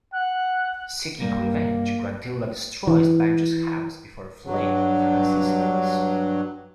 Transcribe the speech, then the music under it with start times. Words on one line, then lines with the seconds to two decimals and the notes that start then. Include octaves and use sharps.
Seeking revenge, Gruntilda destroys Banjo's house before fleeing with her sisters.
0.13 F#5 F#6
1.20 G2 G3 A#3 A#4
2.87 E3
4.46 G2 F#3